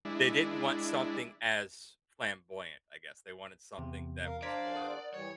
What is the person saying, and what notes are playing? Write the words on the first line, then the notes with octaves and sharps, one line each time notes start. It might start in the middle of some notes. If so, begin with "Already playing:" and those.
they didn't want something as flamboyant, I guess. They wanted something that was more
G#3 D4 E4
E2 C3
A#4 F5
D4 C5 D5 F5 A#5 G#6 B6
A#4 F#5 D#6
E3 G3 C#5